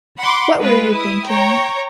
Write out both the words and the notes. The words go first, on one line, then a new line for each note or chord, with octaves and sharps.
What were you thinking?
F#5 B5 C6 D6
G#3 F4 B4
E4 D#6
C#5 G5 A#5